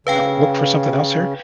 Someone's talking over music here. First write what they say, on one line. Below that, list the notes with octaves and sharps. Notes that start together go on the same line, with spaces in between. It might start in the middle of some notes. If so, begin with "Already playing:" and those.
you know, look for something else here,
C#3 B4 F5 G5